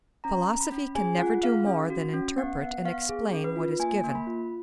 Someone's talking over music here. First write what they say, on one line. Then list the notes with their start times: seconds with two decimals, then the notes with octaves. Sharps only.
Philosophy can never do more than interpret and explain what is given.
0.24 C#4 A#5
0.48 C#4
0.60 B5
0.72 C#4
0.95 G#4 G#5
1.19 F4 F#5
1.43 G#4 F5
1.67 C#4
1.90 F#4
2.14 C#4
2.38 B3 F#5
2.61 B3 F#5
2.85 B3 F5
3.09 G#4
3.33 C#4
3.44 B4
3.56 F4
3.79 A#3 G#5
4.04 A#3
4.15 B5
4.27 F4